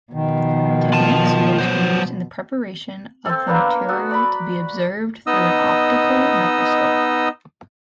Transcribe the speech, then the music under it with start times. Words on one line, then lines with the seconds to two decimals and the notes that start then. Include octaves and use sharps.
Techniques most used in the preparation of the material to be observed through an optical microscope.
0.13 B2 D#3 F3
0.93 F4 A5
1.58 F#3 C5
3.26 C4 A4
3.47 A#3 B3 D4 A#5
3.88 F#4 A4 D#6
4.10 D5 A#5 B5
5.27 B3 D#4 D#5 D#6 E6